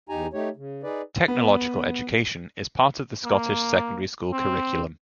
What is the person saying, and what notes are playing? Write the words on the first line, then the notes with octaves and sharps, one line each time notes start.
Technological education is part of the Scottish secondary school curriculum.
E2 D#4 G4 G#5 A#5
A3 D#4 G4 C#5
C#3
D#4 G#4 B4 D5
B3
A#3
C4